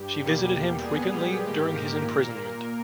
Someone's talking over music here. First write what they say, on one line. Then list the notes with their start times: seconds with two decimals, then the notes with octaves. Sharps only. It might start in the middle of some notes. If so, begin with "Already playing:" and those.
She visited him frequently during his imprisonment.
Already playing: G2 G4
0.23 E2 B2 G3 A#3 G4
0.83 A#2 G3 B3 G#4
1.13 G4
1.43 G#2 D#3 A#3 G4
1.73 A#4
2.02 A#2 A#3